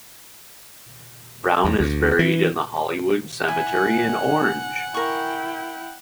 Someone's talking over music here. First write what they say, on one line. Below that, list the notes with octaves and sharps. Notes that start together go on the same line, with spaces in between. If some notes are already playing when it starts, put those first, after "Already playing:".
Brown is buried in the Hollywood Cemetery in Orange.
E2
D2
E3
E4 F#5 G#5
E4 A#4 G5 C#6